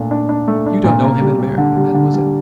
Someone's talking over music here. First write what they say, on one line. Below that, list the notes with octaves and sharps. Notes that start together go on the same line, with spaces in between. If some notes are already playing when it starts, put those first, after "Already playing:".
"You don't know him in America, mademoiselle?"
Already playing: A#2 A3 D4
D4
D4
A3
D4
A#2
A#3
G3
G3
D3
G3
D3
G3